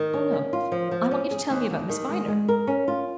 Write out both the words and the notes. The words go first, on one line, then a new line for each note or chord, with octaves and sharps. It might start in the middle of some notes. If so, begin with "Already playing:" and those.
"Oh, no. I want you to tell me about Miss Viner."
Already playing: D#3
C#5
C#4
F4
F3
F3
C#4
G#4
D#2
D#2
D#3
G#3
G#3
A#4
C#4
F4